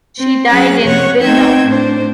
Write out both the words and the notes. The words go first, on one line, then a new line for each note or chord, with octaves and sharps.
She died in Wilno.
C4
F#3 C#4 G#4 F5 F#5 F#6
F2 C3 C#5 F#5 C#6
B3 C4 D#4 G5 E6 G#6
A2 D4 C5